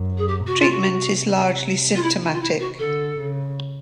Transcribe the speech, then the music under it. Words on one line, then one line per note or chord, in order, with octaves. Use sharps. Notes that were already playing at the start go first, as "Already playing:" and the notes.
Treatment is largely symptomatic.
Already playing: F#2
G#4
G4
C3 F#4
F4
F#4
F4
E4
D#4
F4
E4
F#4
D3 A4
C#3